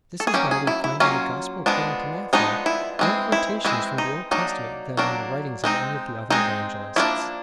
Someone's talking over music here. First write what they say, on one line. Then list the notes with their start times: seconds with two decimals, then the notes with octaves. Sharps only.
This is why we find in the Gospel according to Matthew more quotations from the Old Testament than in the writings of any of the other evangelists.
0.20 A4
0.27 G#4
0.34 F#3 A#3 C#4 G4
0.51 G#4
0.67 E4
0.84 E4
1.00 F#3 A#3 C#4 F4
1.66 F3 G#3 B3 D4
2.33 F3 G#3 B3 D4 D#4
2.66 E4
2.99 E3 G#3 C4
3.32 E4
3.65 E3 G#3 C4 E4
3.98 D#4
4.31 F#3 A#3 D4 D#4
4.97 F#3 A#3 D4
5.64 G#3 C4 D#4
6.30 G#3 C4 D#4
6.96 F3 A#3 D4 E4